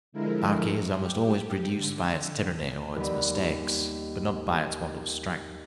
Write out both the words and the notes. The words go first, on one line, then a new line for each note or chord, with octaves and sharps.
Anarchy is almost always produced by its tyranny or its mistakes, but not by its want of strength.
D3 F3 G#3 E4 A#4
G4
D3
D#2 G3 B3